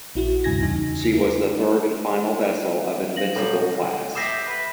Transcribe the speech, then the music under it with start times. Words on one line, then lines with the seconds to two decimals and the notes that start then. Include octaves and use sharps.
She was the third and final vessel of "Invincible"-class.
0.15 A#1 E4 F#4
0.44 D2 G2 C3 G#5 G#6 A#6
0.62 E2 C#3 D#4 G#5
1.13 E4 A#4
3.16 F5 A#6 F#7
3.35 B2 F#3 G3 A4 C#5
3.71 C#2
4.15 B3 G4 E5 A#6 C7 E7
4.48 B4